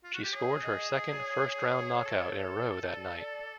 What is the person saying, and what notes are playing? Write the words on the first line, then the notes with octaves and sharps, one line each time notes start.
She scored her second first round knockout in a row that night.
F4
F#4
G4
G#4 C#5
D#5
D#5
D5
C#5
A4
D5
D5